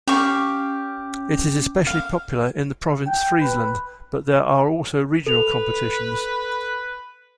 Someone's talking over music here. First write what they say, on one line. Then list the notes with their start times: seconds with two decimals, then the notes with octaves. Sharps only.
It is especially popular in the province Friesland, but there are also regional competitions.
0.07 C#4 G4 F5 C#6
1.87 F5
3.06 G5
3.41 B4
5.27 A4 B4 F7